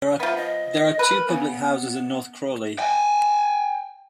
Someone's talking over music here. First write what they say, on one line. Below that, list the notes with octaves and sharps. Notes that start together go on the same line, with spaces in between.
There are two public houses in North Crawley.
F3 B3 E5
D#5
A#4 B4
C#3 B3
G5 G#5